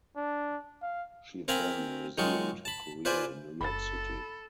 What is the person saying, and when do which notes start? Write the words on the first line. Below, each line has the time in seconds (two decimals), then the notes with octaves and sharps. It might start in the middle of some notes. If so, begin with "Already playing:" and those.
She then resumed her career in New York City.
0.17 D4
0.82 F5
1.48 C4 A#4 F5 G#5 A#5 B5
2.18 D#3 F#3 G#3 D#4 F4 C#6
2.65 A5 B5
3.05 F4 B4 C5 D5 G#5
3.61 F#1 A4 B5 A6